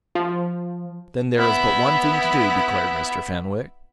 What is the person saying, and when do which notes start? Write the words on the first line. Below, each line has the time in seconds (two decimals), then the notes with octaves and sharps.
"Then there is but one thing to do," declared Mr. Fenwick.
0.15 F3
1.36 B3 E4